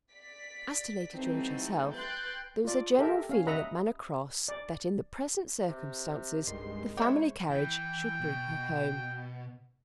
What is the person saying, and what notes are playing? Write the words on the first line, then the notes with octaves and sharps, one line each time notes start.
As to Lady George herself there was a general feeling at Manor Cross that in the present circumstances the family carriage should bring her home.
D5 B6
E3 G3 A3 B3 C4 D#4
B4 G5 C6 F#6 G6 A6
F4 D5
G4 A4 A#4 E5
C#4 F5
D#5 E5 F#5 A#5 B5
D5
C3
C2 G2 D#3 G#3 C6
E4 G4 C5 C#5
E3 G5
B2